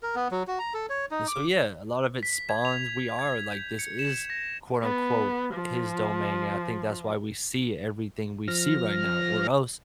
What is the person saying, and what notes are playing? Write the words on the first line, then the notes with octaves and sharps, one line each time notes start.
And so, yeah a lot of it spawns, we are like, this is quote unquote "His domain," and I think that's why we see everything we see right now or else
A#4
B3
F#3
F#4
A#5
A4
C#5
D#4
D6
B6
G#6
F7
G#6
G6
C#7
E7
A#6
B3
F3
F3 F6 A#6